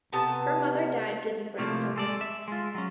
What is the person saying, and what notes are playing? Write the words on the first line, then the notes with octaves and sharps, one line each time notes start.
Her mother died giving birth to her.
C3 B3 A4 A5
A2 C3 F3 A3 A#3
G#3 A4 D5
E5
G#3 F4
F#3 C#4